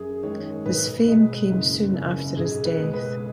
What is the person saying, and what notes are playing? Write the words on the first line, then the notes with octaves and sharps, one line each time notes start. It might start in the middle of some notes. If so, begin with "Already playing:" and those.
His fame came soon after his death.
Already playing: F#2 G#4
D#3 G#3 C#5
B1 B4
B2 G#3
F#1
F#2 C#3
B1 G#4
B4
B2 G#3
B4